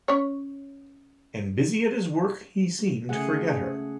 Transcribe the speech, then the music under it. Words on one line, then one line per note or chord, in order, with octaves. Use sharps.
And busy at his work he seemed to forget her.
C#4 C#5
C#3 A3 G#4 F#5